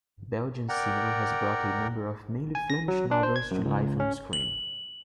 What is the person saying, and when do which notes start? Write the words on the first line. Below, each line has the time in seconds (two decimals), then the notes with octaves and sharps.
Belgian cinema has brought a number of mainly Flemish novels to life on-screen.
0.69 A#4 D5 F#5 G5 A#5
2.55 G#5
2.70 A#6
2.88 F#3
3.11 D4
3.23 C5
3.36 G#6
3.51 F#2
3.65 C#2
4.00 C#4
4.33 F#7